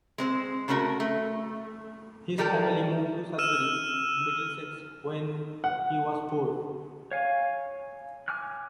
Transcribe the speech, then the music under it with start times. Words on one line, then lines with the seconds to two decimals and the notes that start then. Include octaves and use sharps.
His family moved to Sudbury, Middlesex when he was four.
0.18 G#3 C4 C5
0.68 C#3 A3 C#4 F#4 A#4
1.00 A3
2.38 D#3 G3 G4 A4 A#4
3.39 E6 F6 D#7 E7
5.64 F#5
7.11 C#5 F5 G#5
8.28 G#5 D6 F6 F#6